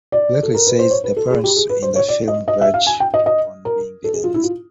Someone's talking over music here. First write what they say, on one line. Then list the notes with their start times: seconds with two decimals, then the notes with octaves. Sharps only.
Blakley says the parents in the film verge on being villains.
0.12 D5
0.43 A4
0.54 A#4
0.67 B4
0.79 C5
0.91 C#5
1.04 B4
1.17 A4
1.31 G#4
1.44 G4
1.57 G#4
1.70 B4
1.82 C5
1.96 C#5
2.09 D5
2.28 D#5
2.48 D#5
2.61 E5
2.74 F5
2.87 G#5
3.00 G5
3.14 D#5
3.26 D#5
3.65 A#4
4.04 A4
4.14 G#4
4.24 F4
4.34 E4
4.44 F4